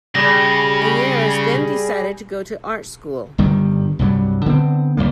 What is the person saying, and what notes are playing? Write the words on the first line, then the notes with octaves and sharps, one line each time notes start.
Ayres then decided to go to art school.
C#3 G3 G4 G#4 B5 A#6
G1 G2 D#3 G3
C2 G2 F#3 G3
D3 B3 C4
A#1 G2 G3 A#3